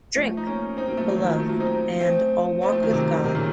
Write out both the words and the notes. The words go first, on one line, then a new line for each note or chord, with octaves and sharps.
Drink!," "Beloved," and "I'll Walk With God.
F3 A3
D#4
A#3 C#4
C4 D#4
F#3 A#3
F3 A3
D#3 F#3
F3
D#3 F#3
F3 A3
F#3 A#3
C4 D#4
A3 C4
A3 C4
F3 A3
D#3 F#3
C3 D#3
C3 D#3
A#2 C#3